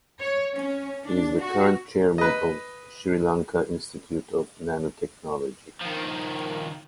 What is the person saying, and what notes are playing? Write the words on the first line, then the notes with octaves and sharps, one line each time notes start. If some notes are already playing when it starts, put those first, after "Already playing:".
He is the current chairman of Sri Lanka Institute of Nanotechnology.
C#5
C#4
D4
F#4
B4 D#5
D#3 F3